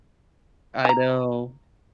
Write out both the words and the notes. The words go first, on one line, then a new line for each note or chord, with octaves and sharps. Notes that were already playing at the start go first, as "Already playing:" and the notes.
I know.
G#5 A#5